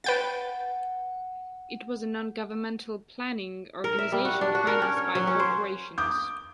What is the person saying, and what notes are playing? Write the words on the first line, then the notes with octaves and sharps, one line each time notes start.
It was a non-governmental planning organisation financed by corporations.
B4 F#5 G5 A6
A#4
E5
G3
F#4
D4
F#4
A#4
C#4
C#5
F#3
C#4
C5
D6 D#6 G6